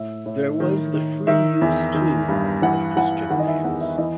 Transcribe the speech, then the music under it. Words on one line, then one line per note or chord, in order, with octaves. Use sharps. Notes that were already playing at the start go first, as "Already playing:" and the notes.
There was the free use, too, of Christian names.
Already playing: A2 E5
A2
D#3
D#3
D#3 E5
E2
D#3
G2
E3 F#5
E3 F#5
D#3 F#5
D#5
E5
E2 F#5
E5
E3 D#5